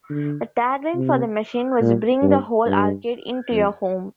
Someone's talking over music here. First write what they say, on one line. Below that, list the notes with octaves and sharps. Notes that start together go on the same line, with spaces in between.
The tagline for the machine was Bring the whole arcade into your home!
D3
C3
A#2
G2
G2
F2